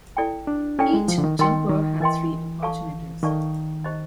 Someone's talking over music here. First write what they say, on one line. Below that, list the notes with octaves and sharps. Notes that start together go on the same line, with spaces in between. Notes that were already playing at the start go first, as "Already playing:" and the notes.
Each jumper had three opportunities.
E4 A4 D5 G5
D4
C#4 E4 A4 D5 G5
G#3
F3
D3
D#3
D#3 A#4 D#5 G5 C6
D#3
E3 A#4 D#5 G5 C6
A4 D5 F5 A5 C#6
D#3 A4 D5 F5 A5 C#6
D#4 G4 C5 D#5